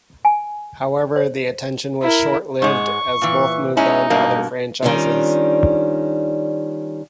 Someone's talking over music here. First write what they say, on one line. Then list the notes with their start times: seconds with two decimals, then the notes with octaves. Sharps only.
However, the attention was short lived, as both moved on to other franchises.
0.25 G#5
1.16 C5
2.02 E4 A#4
2.62 G#2 G#3 C#6
3.21 A#2 E3
3.77 G#3 C#4 D#4 E4
4.10 G2 B2 A#3
4.83 D#3 G3 C#4 D4 F4